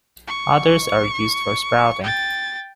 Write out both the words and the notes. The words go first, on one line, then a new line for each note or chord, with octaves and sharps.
Others are used for sprouting.
C#6
G5 A6